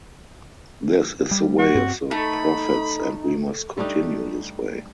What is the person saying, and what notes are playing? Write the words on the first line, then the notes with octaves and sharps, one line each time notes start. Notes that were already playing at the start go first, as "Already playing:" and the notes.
This is the way of the prophets and we must continue this way.
G3
F#4
G2 C4
A3 D#4 B5
G3 A3 D4 D#4